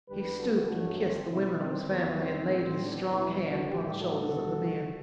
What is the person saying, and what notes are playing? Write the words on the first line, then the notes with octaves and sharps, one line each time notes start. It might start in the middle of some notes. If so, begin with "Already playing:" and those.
He stooped and kissed the women of his family, and laid his strong hand upon the shoulders of the men.
E2 D3 G3 G4 B4
F#4 A4
G2 F#3 A3 D4 F#4
C4
B2 G3 C4 E4
C4
E2 C3 G3 B3
C4
A2 G3
B3 D4
E2 B2 G3 C4 E4
D4 F#4
A2 G3 E4 G4
F#4 A4
E2 B2 G3